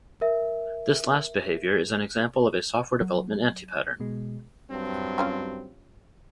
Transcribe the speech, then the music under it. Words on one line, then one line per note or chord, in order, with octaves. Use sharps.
This last behavior is an example of a software development anti-pattern.
A#4 E5
F#3
B2 G#3
G2 F#3 C4
G3 C#4 F4